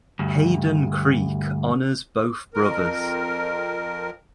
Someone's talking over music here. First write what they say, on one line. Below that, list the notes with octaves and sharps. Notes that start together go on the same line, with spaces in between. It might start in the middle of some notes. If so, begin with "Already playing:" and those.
Hayden Creek honors both brothers.
D2 G2
F2 A#4